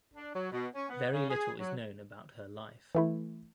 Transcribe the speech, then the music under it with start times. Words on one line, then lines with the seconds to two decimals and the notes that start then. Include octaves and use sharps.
Very little is known about her life.
0.14 D4
0.34 F#3
0.52 B2
0.74 C#4
0.89 B3
1.12 C#3
1.29 G#4
1.58 F#3
2.95 E3 A3 E4